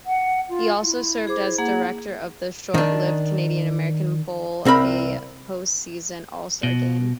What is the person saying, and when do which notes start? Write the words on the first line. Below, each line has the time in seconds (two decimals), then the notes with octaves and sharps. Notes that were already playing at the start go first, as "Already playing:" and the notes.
He also served as director of the short-lived Canadian-American Bowl, a postseason all-star game.
0.06 F#5
0.49 F4
0.82 E4
1.27 G#4 C5 D6
1.58 A#3 G#4 F#5
2.74 D#3 D4
4.65 C2 C4 A#4 B5
6.63 B2